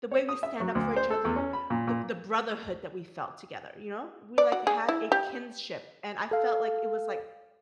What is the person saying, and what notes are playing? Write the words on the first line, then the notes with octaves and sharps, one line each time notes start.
The way we stand up for each other, the the brotherhood that we felt together, you know? We, like, had a kinship, and I felt like it was, like,
C#5
D#6
E5
F#3
D2
C5
A4
E2
C#4
B5
A#2
A#2
D5
F#4
G#4
E4
G4
A4 F5